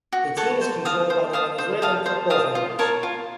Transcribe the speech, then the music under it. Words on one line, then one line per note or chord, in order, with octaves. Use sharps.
The team is controlled by the Venezuelan Football Federation.
F#4
A4 C#5 F#5
C5
F5 A5 D#6
C5
F5 A5 D#6
C5
F5 A5 D#6
C5
F5 A5 D#6
F4
A#4 C#5 A5
F4